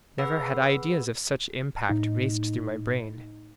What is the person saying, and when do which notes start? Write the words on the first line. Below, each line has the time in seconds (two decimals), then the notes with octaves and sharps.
Never had ideas of such impact raced through my brain!
0.18 G#4 B4 F#5 B5 E6
1.89 A2 D#4